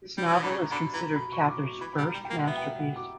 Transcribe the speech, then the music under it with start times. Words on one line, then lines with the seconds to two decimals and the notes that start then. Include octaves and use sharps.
This novel is considered Cather's first masterpiece.
0.18 G3
0.26 F#3
0.33 E3
0.42 D3 B5
0.50 C#3 C#6
0.62 A#5
0.71 D3 B5
0.94 E3 A#5
1.16 B5
1.32 C#6
1.49 D6
1.65 C#6
1.81 E3 B5
1.93 B5
1.98 G3
2.03 A#5
2.14 G3
2.25 G5
2.30 A#3
2.37 F#5
2.47 B3 E5
2.57 G5
2.63 F#5
2.79 F#5
2.96 D6